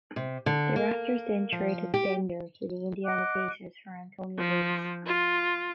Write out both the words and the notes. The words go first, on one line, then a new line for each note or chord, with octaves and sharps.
The Raptors then traded Bender to the Indiana Pacers for Antonio Davis.
C3
D3
A#3
F3
G4
D#5 F#5 D6 F#6
F3
F4